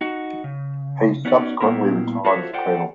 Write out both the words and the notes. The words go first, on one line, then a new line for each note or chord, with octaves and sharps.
He subsequently retired as a colonel.
D#4 F#4
C#3
B3 C#4 D#4 F#4 A4 D5
A#2 G3 A#3 B3 E4 A#4
F4 F#4 A4 C5 C#5 E5
F4 A4 C5 D5 F#5 G5